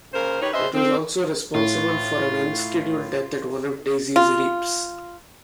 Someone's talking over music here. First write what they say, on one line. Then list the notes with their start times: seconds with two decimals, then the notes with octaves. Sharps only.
It was also responsible for an unscheduled death at one of Daisy's reaps.
0.14 A#2 C#3 F4 A#4 C5
0.42 D#3 D#4 G4 B4 C#5
0.53 C3 C#4 B4 C5 D#5 E5
0.74 F2 C4
1.54 A2 F4
4.16 F4